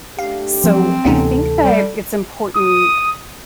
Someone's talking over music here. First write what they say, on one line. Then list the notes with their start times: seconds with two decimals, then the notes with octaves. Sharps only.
so I think that it's important,
0.19 A3 D4 G4 F5
0.64 F3 F#3 C4
1.05 D2 C3 E3 B3 C#4 D#4 A4
1.63 G3
2.56 D#6